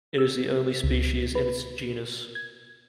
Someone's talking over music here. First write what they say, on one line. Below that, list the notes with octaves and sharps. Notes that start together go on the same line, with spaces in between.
It is the only species in its genus.
E6
C#2
B4
G#6